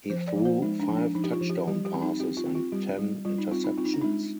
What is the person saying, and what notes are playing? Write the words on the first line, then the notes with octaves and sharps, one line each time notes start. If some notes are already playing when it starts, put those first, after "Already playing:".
He threw five touchdown passes and ten interceptions.
F3 C5
D5
F3
C5
G#3 D#4
D4
F3
D4
F3 D#4
G4
F4
F3
G4
G3 G4
G4
C4
D#4
C4 G4
F4
C4
F4
G3 G4
G3
G3 F4
D#4
C4 F4
D#4
C4 F4
D#4
D4
G#3 D#4